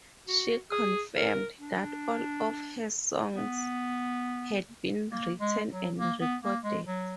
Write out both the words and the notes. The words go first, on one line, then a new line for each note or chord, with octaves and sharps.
She confirmed that all of her songs had been written and recorded.
F#4
G#4
A#4
D4
B3
A#3
G#3
F#3
A#3
B3
A#3
G#3
F#3